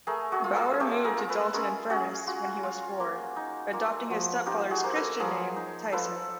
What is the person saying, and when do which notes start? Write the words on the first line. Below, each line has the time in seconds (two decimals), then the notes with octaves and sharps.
Bower moved to Dalton-in-Furness when he was four, adopting his stepfather's Christian name Tyson.
0.07 A3 G#4 A#4
0.32 F#4 G#4
0.44 F4
0.56 G#4 A#4
0.80 A3 G4 A4
1.04 G#4 A#4
1.17 F4
1.29 A4 B4
1.54 C#4 G#4 A#4
1.90 C#4 F#4 G#4
2.27 F4 F#4
2.63 F4
3.00 A#3
3.36 D#4
3.73 A#3 F4
4.10 F3 F#4
4.46 D#4 F4 G4
4.71 F#4 G#4
4.83 A#3 C5
4.95 A4 B4
5.20 F3 G#4 A#4
5.56 D#4
5.92 F3 A4 B4